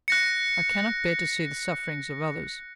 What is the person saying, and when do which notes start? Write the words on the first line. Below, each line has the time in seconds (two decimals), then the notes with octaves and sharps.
I cannot bear to see the sufferings of others.
0.08 F#6 A#6 C#7